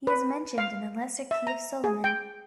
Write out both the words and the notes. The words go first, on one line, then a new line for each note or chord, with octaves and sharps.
He is mentioned in The Lesser Key of Solomon.
B4
F5
E5
A#5
G#4
G5